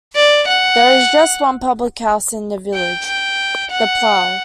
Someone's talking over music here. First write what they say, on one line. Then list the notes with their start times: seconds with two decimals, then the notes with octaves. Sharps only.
There is just one public house in the village, the Plough.
0.16 D5
0.48 F#5
2.74 G5
3.07 G5
3.71 F#5